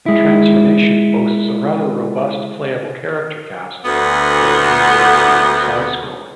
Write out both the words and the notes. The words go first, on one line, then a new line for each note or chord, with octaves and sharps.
Transformation boasts a rather robust playable character cast for a Game Boy Advance side-scroller.
G#3 E4
D2 B3